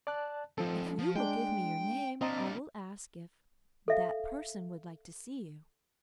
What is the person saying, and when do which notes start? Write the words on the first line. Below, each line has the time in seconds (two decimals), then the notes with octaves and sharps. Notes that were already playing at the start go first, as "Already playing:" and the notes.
"If you will give me your name, I will ask if--that person would like to see you."
0.07 D5 A5 F#6
0.58 F3 C4 D#4 A4
0.99 F3
1.16 G#3 D4 G5
2.21 C4 D4 F4 D#5 A#5
3.88 A4 E5 F5